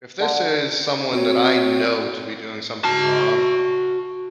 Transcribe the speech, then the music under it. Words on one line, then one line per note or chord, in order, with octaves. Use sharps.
if this is someone that I know to be doing something wrong,
D3
C4 F#4 C#5
F#4 A5